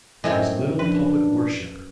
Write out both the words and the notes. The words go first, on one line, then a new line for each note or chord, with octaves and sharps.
There was little public worship.
F#2 A2 C3 D#5 G#5
F3 D4 B4